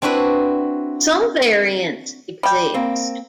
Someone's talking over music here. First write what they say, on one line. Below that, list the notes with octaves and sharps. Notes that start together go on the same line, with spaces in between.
Some variants exist.
C4 D4 E4 F#4 B4
G3 G5
A#3 C4